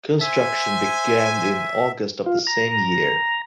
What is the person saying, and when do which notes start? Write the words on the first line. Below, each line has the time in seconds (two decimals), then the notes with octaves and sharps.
Construction began in August of the same year.
0.21 C5 E5 G#5
2.26 F4
2.47 A#5